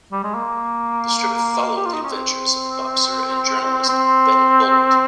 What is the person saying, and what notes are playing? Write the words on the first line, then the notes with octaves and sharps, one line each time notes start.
The strip followed the adventures of boxer and journalist Ben Bolt.
G3
G#3
A#3
G4
F4
D#4
C#4
C4
C4